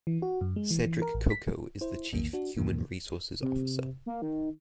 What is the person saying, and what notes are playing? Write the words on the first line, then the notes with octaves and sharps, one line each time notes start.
Cedric Coco is the Chief Human Resources Officer.
E3
F#4
F#2
G#3
E3
E3
A#4
A1
B6
E4 C5
A#1 E2 D#3 A#3
D4 F#4
D#2 G#2 B2 E3 A#3
C3
A#3
D#3